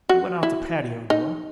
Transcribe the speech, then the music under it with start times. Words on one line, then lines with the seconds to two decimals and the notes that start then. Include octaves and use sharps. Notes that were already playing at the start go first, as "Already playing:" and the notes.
He went out the patio door.
0.09 F#4
0.43 E4
1.10 D#4